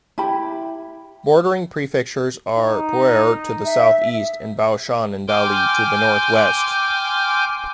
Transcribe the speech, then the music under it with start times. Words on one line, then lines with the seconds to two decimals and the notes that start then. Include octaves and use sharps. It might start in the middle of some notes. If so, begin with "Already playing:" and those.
Bordering prefectures are Pu'er to the southeast, and Baoshan and Dali to the northwest.
0.18 E4 G4 B5
2.58 D#4
3.65 E5
5.28 G5 G#5 C6 D6 F6 G6